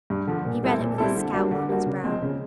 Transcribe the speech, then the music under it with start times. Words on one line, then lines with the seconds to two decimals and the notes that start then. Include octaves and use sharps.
He read it with a scowl on his brow.
0.10 G2
0.27 D3 F3
0.45 A#2
0.62 G3 C4 E4 A4
0.80 A#2
0.98 G3 C4 E4 A4
1.16 D3
1.33 G3 A#3 D4 F#4
1.51 D3
1.68 G3 A#3 D4 F#4
1.86 C#3
2.04 F3 G#3 C4
2.22 C#3